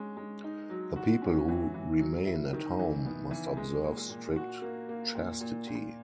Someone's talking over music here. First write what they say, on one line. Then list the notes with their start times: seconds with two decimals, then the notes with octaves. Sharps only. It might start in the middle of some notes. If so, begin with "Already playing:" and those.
The people who remain at home must observe strict chastity.
Already playing: G#3 C#4
0.17 G#3
0.44 D#4
0.70 F#3
0.96 F#4
1.22 C#4
1.48 E3
1.74 E3
2.00 F#3
2.26 E4
2.53 D#3
2.79 E3
3.05 B3
3.31 E3
3.57 G#3
3.83 A#2
4.09 A#2
4.36 F#4
4.62 A#3
4.89 A#3
5.15 A#2
5.41 A#2
5.67 A#2